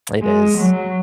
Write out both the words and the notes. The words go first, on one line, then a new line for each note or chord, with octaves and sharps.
It is.
G#3
F#3